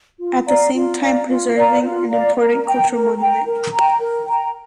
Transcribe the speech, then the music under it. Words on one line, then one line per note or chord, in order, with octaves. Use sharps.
At the same time preserving an important cultural monument.
F4
D5 F5 A#5
F4
D5 F5 A#5
F4
D5 F5 A#5
F4
D5 F5 A#5
A#4
G5 A#5
A#4
G5 A#5
A#4
G5 A#5
A#4
G5 A#5